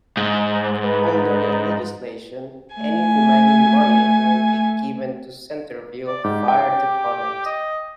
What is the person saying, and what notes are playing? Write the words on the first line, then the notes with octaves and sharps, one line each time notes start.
Under the legislation, any remaining money would be given to Centerville Fire Department.
G#2
B4
A3 G#5
D5
G#2 G4
G5
D#5